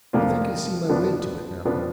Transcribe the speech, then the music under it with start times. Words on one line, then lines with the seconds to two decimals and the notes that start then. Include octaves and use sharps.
I think I see my way to it now.
0.13 F2 F3 A#3 D4 F4
0.90 F2 F3 B3 D4
1.65 F2 F3 B3 D4